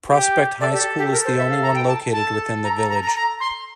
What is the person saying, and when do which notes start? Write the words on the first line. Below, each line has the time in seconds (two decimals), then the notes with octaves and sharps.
Prospect High School is the only one located within the village.
0.10 G4
0.61 A4 D5
0.73 G4
0.99 G4
1.11 A4 A#4
1.25 C5
1.38 E5
1.50 F5
1.63 A#5
1.75 G5
1.87 A5
2.13 A4 A5
2.64 A#5
2.76 A#5
2.90 A#5
3.02 A#5
3.15 A#5
3.40 C6